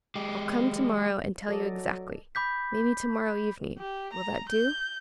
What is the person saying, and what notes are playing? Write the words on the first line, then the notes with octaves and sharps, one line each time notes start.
I'll come to-morrow and tell you exactly--maybe to-morrow evening--will that do?
G#3 G4
F#3 A4 D5 D#5
B5 D6 G6 B6
G4
A#5
G6